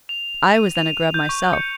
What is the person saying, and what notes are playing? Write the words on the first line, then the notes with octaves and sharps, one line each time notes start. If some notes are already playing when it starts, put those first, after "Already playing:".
I was then a Grub myself.
F7
D#7
F7
G6
C#6
C#7